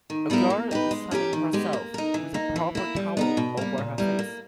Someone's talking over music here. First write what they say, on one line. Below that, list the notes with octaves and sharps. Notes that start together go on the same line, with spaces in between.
A girl is sunning herself with a purple towel over her face.
D#3
G3 B3 E4 A#4
A#3
D#4 G4 B4
G#3
C#4 E4 G4 A#4
D#3
G#3 B3 G4
A#3
D#4 A#4
E3
A#3 D#4
E3
A#3 E4
G3
B3 D#4 A#4
B2
G3 A#3
A#2
G3 B3 E4 A#4
A#3